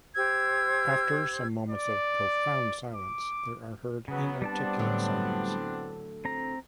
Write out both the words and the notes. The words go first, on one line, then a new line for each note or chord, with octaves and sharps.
After some moments of profound silence there are heard inarticulate sounds.
G4 C5 E6 G#6
D5
D6
C#3 F#3 B3
G3 B3 C4 D4 D5 A5
A2 D3 F#3
C4 A#5